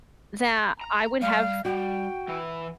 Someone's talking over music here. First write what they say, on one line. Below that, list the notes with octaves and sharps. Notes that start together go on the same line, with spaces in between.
that I would have
A#5
G3 F5
G3 F#4 G5
E3 E4